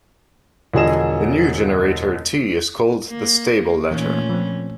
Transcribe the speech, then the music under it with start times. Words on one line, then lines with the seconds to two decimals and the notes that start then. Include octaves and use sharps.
The new generator "t" is called the "stable letter".
0.74 E1 D3 F3 G#4 D#5 E7
3.08 A#3
3.91 A#2 E3 A3 A#3 C#4 D#4
4.29 F3 C4